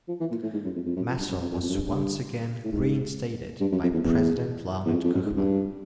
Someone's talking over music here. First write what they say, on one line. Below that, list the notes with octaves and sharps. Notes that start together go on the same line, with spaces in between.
Masol was once again reinstated by President Leonid Kuchma.
F3
E3
A#2
A2
G#2
F#2
F2
F2
F#2
F2
G2
F#2
F2
F2
F2
F#2
G2
G2
A2
G#2
G2
F#2
F2
E2
E2
E2
F2
F2
F#2
G#2
G2